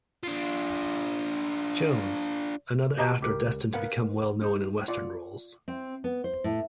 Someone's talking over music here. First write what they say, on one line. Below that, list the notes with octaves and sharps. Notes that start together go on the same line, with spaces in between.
Jones, another actor destined to become well known in western roles.
D4 F4
G4 D#5 A5 A#5
C#2 G4 A#4
A#4 B4 F5 F#5
D#4
F4 D5 F#5
C4
B3
C5
A2